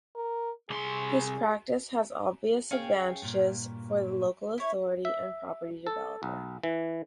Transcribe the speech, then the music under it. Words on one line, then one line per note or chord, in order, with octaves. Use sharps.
This practice has obvious advantages for the local authority and property developer.
A#4
C2 G#4 C6
C#4 G#4 C#5 F5 G5
G2 A#2
E4 C#5
E5
A4
B1
E3